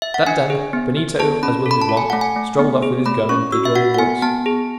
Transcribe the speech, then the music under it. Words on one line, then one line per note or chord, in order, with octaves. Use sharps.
That done, Benito, as was his wont, strolled off with his gun into the adjoining woods.
E5
F#5
D4 G#5
G#4
B3
B3
G#4 A5
C#4 B5
A4
B5
A5
A4
G#5
A3 F#5
G#5
A3
B3
G#4
A3 B5
C#4 C#6
F#4 E6
E5
F#4 F#5
F#5
B3 G#5
B3 A5
G#4